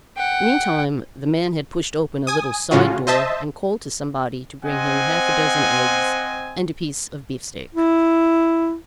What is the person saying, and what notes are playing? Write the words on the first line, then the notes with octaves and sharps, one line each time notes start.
Meantime the man had pushed open a little side door and called to somebody to bring him half a dozen eggs and a piece of beefsteak.
F#5 G5
G#5 D#6
A2 C#3 C#4 F4 F#4
C5 D#5 E5 A5
C4 C5 D#5 F#5 G#5
E4